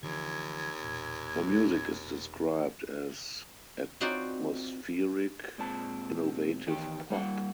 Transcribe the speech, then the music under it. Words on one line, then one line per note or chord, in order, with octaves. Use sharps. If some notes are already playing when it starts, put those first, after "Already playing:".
Her music is described as atmospheric innovative pop.
D#2 D3 E3 F3 G#6
E1 A#2
C4 D#4 F4 F#4 C5 D5
A#2 G#3 C4 A5
E2 D#3 G4
G3 A#3 F#5